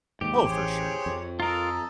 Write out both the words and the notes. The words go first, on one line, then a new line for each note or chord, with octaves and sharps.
Oh, for sure.
D#2 G#2 G4
A1 G#4 C5 C#5
F2
F4 A4 A#4 D#5 A#5